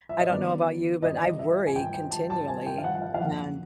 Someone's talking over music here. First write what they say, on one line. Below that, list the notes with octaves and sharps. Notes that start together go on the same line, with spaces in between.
I don't know about you, but I worry continually, and
E5
D#5
F#2 D#3 F#3 B3 D4 D5
D#5
D5
D#5
E5
G#5
G5
G5
A5
A5
G#5
G5
F5
F#5
F#5
F5
F5
F2 D3 F#3 A#3 F#5